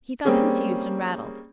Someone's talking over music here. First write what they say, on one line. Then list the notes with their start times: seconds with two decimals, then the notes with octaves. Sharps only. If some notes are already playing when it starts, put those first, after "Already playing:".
He felt confused and rattled.
0.25 G3 A#3 C4 C#4 G#4